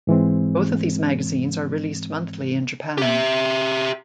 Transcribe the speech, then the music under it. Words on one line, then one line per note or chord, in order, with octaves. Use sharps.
Both of these magazines are released monthly in Japan.
G#2 E3 G#3 C4
G4 E5